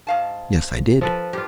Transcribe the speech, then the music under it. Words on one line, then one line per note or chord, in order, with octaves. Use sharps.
"Yes, I did."
G#2 F5 A5
F3 A4 B4
G2 F4 G4